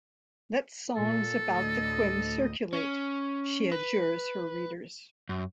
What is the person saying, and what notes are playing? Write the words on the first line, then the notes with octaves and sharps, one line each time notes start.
"Let songs about the quim circulate," she adjures her readers.
A#2 A4
D2 A2 D#5
C#4
B4
F#2